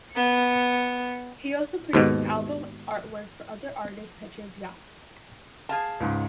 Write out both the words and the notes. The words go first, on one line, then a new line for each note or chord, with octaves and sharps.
He also produced album artwork for other artists such as Yacht.
B3 C#7
D#2 G#2 B2
G#4 F5 A5
C#2 G#2